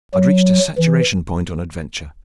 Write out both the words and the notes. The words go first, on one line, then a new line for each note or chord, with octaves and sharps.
I'd reached a saturation point on adventure.
F#3
E3